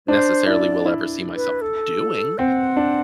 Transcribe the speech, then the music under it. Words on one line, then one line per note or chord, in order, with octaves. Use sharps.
necessarily will ever see myself doing,
D4 C5
E4 D5
E4
B4
A4
C4 F#5
D4